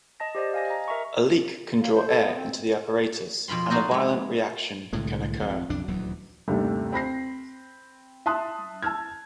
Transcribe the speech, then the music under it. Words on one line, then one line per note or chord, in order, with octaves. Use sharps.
A leak can draw air into the apparatus and a violent reaction can occur.
D#5 A5 A#6
G4 C5 D5 D#5
F5 G#5 A#6
D#5 A#5
A#4 E5 A#5 C#6
A#3
C5
A4
B3
C4
F2 B2 F4 B5 C6
D#4 F#4 A4 A#4 C5 D#5
G#3 B3
C2 A2 D3 G#3
G#1 F2
B1 F2 D4
D#1 D2 E3 F#3
G1 D#2 C3 G3 A3
C4 B5 A#6 C7
E5 A5 C6 D#6 F#6
A5 E6 F6 G#6